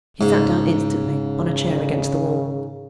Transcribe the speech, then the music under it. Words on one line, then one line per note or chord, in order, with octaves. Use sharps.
He sat down instantly, on a chair against the wall.
G#2 C#3